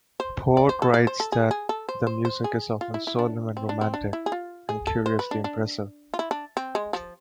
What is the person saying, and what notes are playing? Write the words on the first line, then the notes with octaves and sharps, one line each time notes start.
Porte writes that the music is often solemn and romantic, and curiously impressive.
C5
D5
C5
A4
D5
C5
A4
G#4
G#4
A4
C5
C5
C5
G#4
F4
E4
E4
D4
C4
D4
C4
D4
E4
G#4
F4
G#4
A4
C5
B4
D4
D4
F4
E4
D4
C4
G#3
F3